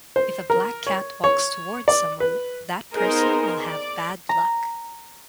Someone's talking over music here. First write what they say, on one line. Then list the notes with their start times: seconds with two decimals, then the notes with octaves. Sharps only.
If a black cat walks towards someone, that person will have bad luck.
0.16 C5
0.50 A#4
0.87 C#5
1.24 C#5
1.88 D5
2.20 B4
2.93 B3 D#4 G#4 A#4 C5
3.66 D5
4.29 A#5